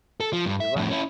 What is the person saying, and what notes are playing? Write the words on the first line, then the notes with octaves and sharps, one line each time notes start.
You're right.
A4
F3
G2
E5
F2 A2
C#4 E4